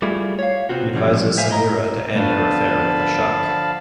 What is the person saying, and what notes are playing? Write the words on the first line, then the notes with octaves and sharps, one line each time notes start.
He advises Sameera to end her affair with Ashok.
G3 A3 E4 F4 G#4
C#5 F5
C3 B3 C4 F4 F#4
B2 D3 E3 F3 G3 C#4
E4 C5 E5 F5 G#5
E4 D#5 A#5
D3 F3 A3 B3 D4 F5 A5 B5